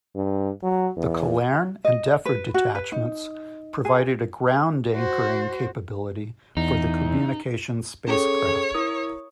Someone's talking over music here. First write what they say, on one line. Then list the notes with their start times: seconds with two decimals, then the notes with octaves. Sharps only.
The Colerne and Defford detachments provided a ground anchoring capability for the communications spacecraft.
0.15 G2
0.63 F#3
0.96 E2
1.85 D#5
2.25 B4
2.54 F#4
2.75 B4
2.92 D#4
3.85 G#4
4.94 F#4 C5
6.57 E2 D#4
8.08 C#4 G#4 A4 C#5
8.74 E4 A#4 D#6